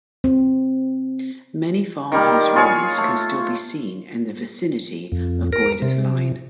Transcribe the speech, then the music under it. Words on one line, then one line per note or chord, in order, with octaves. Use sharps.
Many farmhouse ruins can still be seen in the vicinity of Goyder's line.
C4
D#3 G3 A#3
F4 G#4 C#5
A3
F2
A#4
C3